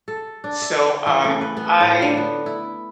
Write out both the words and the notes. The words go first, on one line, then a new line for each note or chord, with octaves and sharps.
So, um, I
A4
D4
E5
E3
A3
B4
B3
A2
D3
B3
E4